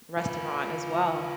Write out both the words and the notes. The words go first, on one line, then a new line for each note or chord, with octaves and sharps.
restaurant as well
F4 B4